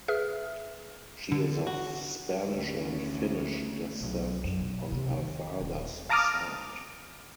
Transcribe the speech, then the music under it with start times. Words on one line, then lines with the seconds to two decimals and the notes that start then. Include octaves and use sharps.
She is of Spanish and Finnish descent on her father's side.
0.08 G#4 B4 E5 F6
1.32 D3
1.67 F#4
2.49 D2 C#4
4.01 B1
4.44 F#2
4.60 B1
4.92 C3
5.10 D#2
5.60 D#1
6.09 F5 A5 A#5 D6 D#6 F6